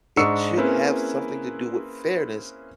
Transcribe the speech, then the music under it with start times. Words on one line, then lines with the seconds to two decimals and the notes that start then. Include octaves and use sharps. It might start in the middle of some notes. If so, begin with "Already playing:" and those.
it should have something to do with fairness
0.17 G#2 G#3 D4 C#6 E6 C#7
0.57 A#3 C4 C#4 E4 G#4 B4